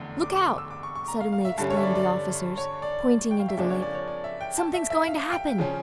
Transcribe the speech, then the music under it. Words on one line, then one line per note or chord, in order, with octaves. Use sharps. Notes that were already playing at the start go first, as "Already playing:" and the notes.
"Look out!" suddenly exclaimed the officers, pointing into the lake; "something's going to happen."
Already playing: F1 E2 D3 A3
D6
C#6
D6
E6
D6
C#6
C#6
A#5
F5
F5
E5
G2 D3 G3 C#4 A5
C#5
E5
D5
D5
C#5
D5
G5
F5
E5
F2 C#3 F3 A#3 D4 D5
C#5
D5
C#5
D5
E5
G5
A5
E5
E5
F5
G5
C#3 F3 C#4